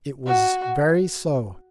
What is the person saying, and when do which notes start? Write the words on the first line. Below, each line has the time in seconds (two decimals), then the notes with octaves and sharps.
It was very so.
0.27 F#4